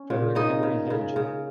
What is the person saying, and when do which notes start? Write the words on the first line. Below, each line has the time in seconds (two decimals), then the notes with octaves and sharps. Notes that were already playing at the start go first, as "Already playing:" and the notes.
Frederic Henry Hedge.
Already playing: C#4
0.10 A#2
0.35 C#3 D#4 D#5
0.63 C#3
0.90 C#3
1.16 C#3